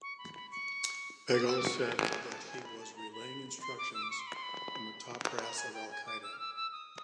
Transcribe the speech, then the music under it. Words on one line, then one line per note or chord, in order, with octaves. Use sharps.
Beghal said that he was relaying instructions from the top brass of Al-Qaida.
C#6
B5
B5
C#6
D6
D#6
E6
D6
C#6
G#5
G#5
A5
G#5
B5
A5
A#5
B5
C6
D6
E6
D6
C#6
C6
B5
C6
B5
A#5
B5
A#5
G#5
G5
G#5
D6
E6
F6
E6
E6
D#6